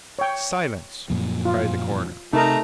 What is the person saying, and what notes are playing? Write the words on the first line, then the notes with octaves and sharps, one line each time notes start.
"Silence!" cried the coroner.
C#5 G5
F#2 A#2 F3
F4
C3 A3 D#4 A#4 A#5